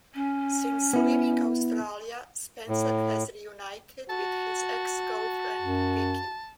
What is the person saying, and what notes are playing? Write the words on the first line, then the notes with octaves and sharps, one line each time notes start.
Since living Australia, Spencer has reunited with his ex-girlfriend Vicki.
C#4
B3 E4
A2
F#4 A5
F#2